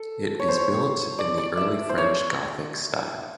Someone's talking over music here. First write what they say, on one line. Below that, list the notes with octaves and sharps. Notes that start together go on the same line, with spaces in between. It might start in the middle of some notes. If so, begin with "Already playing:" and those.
It is built in the early French Gothic style.
Already playing: A4
C#5
C5
C#5
D5
D5
E5
C5
C#5